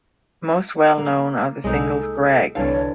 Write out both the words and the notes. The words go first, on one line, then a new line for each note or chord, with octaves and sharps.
Most well known are the singles Greg!
A#3
C2 G#3 D#4 A4 D#5
C2 D3 E3 A4 C#5 F5